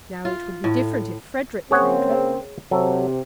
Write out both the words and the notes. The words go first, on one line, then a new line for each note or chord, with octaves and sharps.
Now it would be different if Frederick claimed her.'
F4
A2
C#3 A#3 C4 G#4 C#5 F#5
C3 F#3 A4